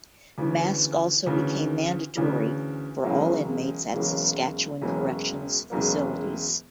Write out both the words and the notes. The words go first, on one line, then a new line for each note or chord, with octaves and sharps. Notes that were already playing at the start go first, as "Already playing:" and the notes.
Masks also became mandatory for all inmates at Saskatchewan corrections facilities.
D2 C#3 E3
D2 C#3 E3
D2 C#3 E3
E1 E2 C#3 F#3 A#3
E1 E2 C#3 F#3 A#3
E1 E2 C#3 F#3 A#3
E1 E2 C#3 F#3 A#3